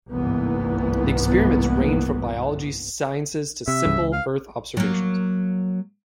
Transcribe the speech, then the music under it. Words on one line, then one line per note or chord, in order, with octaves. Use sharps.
The experiments ranged from biology sciences to simple earth observations.
G1 C2 G#2 E3 A#3 B3
C3 E5
C2 G2 C#3
C#2
F5
F#3 A#3